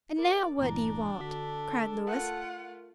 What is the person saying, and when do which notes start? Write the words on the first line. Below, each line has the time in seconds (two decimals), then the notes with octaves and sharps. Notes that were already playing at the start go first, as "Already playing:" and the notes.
"And now what do you want?" cried Louis.
0.18 A#4 D5 E5
0.59 G1 A#2 E3 D4 A#5
1.19 D3 F#4 A4 B6
2.07 A3 F4 A#4 F#5